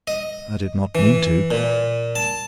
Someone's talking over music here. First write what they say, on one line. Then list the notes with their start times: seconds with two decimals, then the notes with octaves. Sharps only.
I did not mean to.
0.07 D#5
0.95 E3
1.51 A#2
2.15 A5